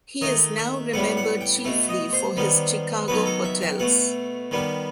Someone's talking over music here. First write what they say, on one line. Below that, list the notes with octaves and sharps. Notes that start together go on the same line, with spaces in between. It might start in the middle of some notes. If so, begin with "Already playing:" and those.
He is now remembered chiefly for his Chicago hotels.
D#3 A3 D#5
E5
A2 G3 B3 F#5
F#5
G5
B2 A3
D#5
C5
D#3 G3 B3
D#3 F#3 B3 B4
A4
E5
G5
B2 A3 F#5
D#3 G3 B3